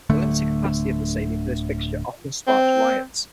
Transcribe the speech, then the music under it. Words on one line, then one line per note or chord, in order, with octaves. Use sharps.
The limited capacity of the stadium for this fixture often sparks riots.
D1 D3 A3
C4